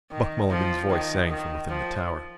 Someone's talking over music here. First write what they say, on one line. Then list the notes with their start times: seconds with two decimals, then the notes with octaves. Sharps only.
Buck Mulligan's voice sang from within the tower.
0.11 D#3
0.50 F3
0.90 D#3
1.29 D#3
1.69 F3